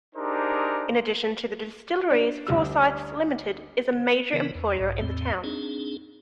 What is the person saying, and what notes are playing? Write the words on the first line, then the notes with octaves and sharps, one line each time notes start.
In addition to the distilleries, Forsyths Limited is a major employer in the town.
D4 D#4 G4 G#4 A#4 C5
D4
D2 G3 E6
C#3 E3 B3 D#4 A#4
E2
B1 G#2
E2 A2 C4
C4 D4 D#4 G#4